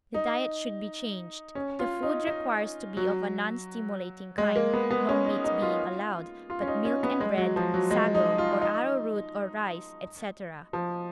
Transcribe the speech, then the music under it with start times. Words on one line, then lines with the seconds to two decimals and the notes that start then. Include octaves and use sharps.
The diet should be changed; the food requires to be of a non-stimulating kind, no meat being allowed, but milk and bread, sago, or arrowroot or rice, etc.
0.14 D#4
1.55 C#4
1.79 F4
2.03 D#4
2.27 D#4
2.97 F#3
4.38 G#3
4.56 A#3
4.74 B3
4.91 B3
5.09 C#4
5.26 D#4
5.44 D#4
5.62 F4
6.50 F4
6.62 C#4
6.68 D#4
6.85 C#4
7.03 B3
7.20 G#3
7.38 F#3
7.56 F3
7.74 F#3
7.91 G#3
8.14 D#4
8.38 F4
8.62 D#4
10.73 F3